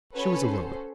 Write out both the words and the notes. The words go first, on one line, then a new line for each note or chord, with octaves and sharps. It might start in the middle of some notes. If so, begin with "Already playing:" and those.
She was alone.
C#4 F#4 A4 B4 C#5
C5